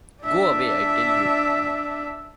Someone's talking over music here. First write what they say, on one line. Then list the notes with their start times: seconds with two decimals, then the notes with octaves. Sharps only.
Go away, I tell you.
0.23 D4 E5